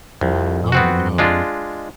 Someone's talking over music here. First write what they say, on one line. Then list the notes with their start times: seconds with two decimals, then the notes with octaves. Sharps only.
Oh, no.
0.21 C2 F2
0.72 B3 C4 F#4
1.18 G#3 D4 F4